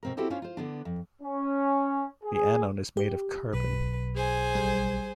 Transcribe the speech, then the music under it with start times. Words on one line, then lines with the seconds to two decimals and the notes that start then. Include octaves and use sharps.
The anode is made of carbon.
0.03 B2 C4 A#4
0.17 C4 E4 F#4 G4 A4 C5
0.30 C#4 D4 F4 C5 C#5
0.42 F4 C5
0.57 D3 B3 D4
0.85 F2
1.22 C#4
2.24 G#4
2.97 G4
3.53 B1 B4
4.14 G#4 C5 G#5
4.55 A1 G3